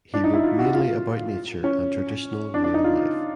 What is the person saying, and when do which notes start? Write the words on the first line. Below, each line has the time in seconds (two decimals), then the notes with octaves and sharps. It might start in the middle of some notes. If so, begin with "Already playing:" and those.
He wrote mainly about nature and traditional rural life.
0.14 D4
0.24 D#4
0.34 E4
0.43 F4
0.59 F#4
0.74 F4
1.64 C#4
2.54 D4
2.64 D4
2.74 D#4
2.84 F4